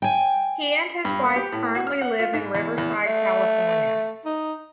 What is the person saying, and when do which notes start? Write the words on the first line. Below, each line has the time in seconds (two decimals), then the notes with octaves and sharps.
He and his wife currently live in Riverside, California.
0.02 G5 G#5
1.05 G2
1.24 A#3
1.36 G4
1.52 A2
1.75 F#4
1.87 F6
2.02 F#5
2.20 F4
2.33 G#2
2.55 E2
2.78 E2
3.06 A3
4.25 D#4